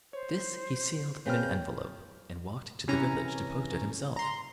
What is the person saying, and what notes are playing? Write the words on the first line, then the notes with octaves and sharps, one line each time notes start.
This he sealed in an envelope, and walked to the village to post it himself.
C5 C#5
C#3 C4 B4 G5 F6 G6
C3 E3 C#4 A#5
A#5 C6